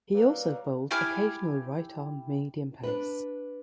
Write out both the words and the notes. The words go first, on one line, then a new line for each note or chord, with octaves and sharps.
He also bowled occasional right-arm medium pace.
F#3 G3 A#3 B4
E4 G4 G#5 F6
D4 B4